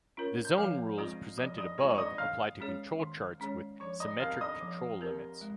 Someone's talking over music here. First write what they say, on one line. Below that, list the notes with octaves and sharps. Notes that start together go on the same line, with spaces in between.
The zone rules presented above apply to control charts with symmetric control limits.
C#4 F4 A#4 C#5
G6
F3 F5 F6
G#3 C4 F4 G#4 D#5 D#6
F3 D#5 D#6
D#5 D#6
G#3 C4 F4 G#4 C#5 C#6
C#6
D#5 D#6
D#3 F5 F6
G#3 C#4 G#4 C#5
D#3
G#3 C#4 G#4 C#5
F3 C#5 C#6
D#5 D#6
C4 G4 A#4 F5 F6
D#5 D#6
F3
C4 G4 A#4
G#3